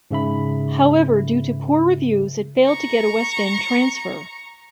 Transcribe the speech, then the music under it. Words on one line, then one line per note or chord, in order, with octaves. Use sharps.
However, due to poor reviews, it failed to get a West End transfer.
G#2 C#3 E5 B5
A#5 C#6